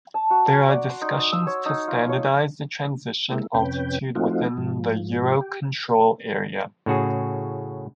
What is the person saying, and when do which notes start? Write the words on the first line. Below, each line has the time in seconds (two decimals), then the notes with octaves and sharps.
There are discussions to standardize the transition altitude within the Eurocontrol area.
0.14 A5
0.31 F#4
0.46 A#5
0.69 D5
0.89 C6
1.02 D#4
1.18 D#6
1.32 E6
1.47 C#5
1.66 D#4
1.88 F4
2.09 C#5
3.29 G#3 A#3 E4
3.54 F2 C3 C#4 B4 G5
4.15 F3 A3 C4 D#4 F4 F#4
4.58 G#2 F3
5.41 G4
6.86 A2 C#3 F#4 G#4